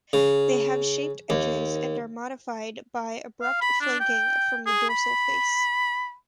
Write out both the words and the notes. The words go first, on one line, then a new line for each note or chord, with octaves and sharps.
They have shaped edges and are modified by abrupt flaking from the dorsal face.
C#3
D#2
F5
B5
D4
G5
G#4
B5